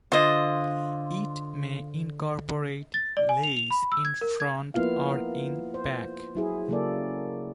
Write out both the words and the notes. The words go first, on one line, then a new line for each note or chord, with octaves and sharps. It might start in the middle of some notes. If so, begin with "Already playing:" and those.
It may incorporate lace in front or in back.
D3 F4 C5 D#5
A6
D5
G#5
F7
F7
B5
E6
G#6
A#4
G#6
F3 A#3 B3 E4 F4 F5
C5
F#3 E4 G#4
C#3 F#3 A#3 A4 D5